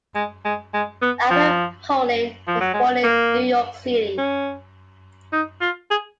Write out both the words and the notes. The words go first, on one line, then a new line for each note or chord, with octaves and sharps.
Alfred Poling was born in New York City.
G#3
G#3
G#3
B3
F3
F3
F#3
G#3
A#3
C#4
D#4
F4
G#4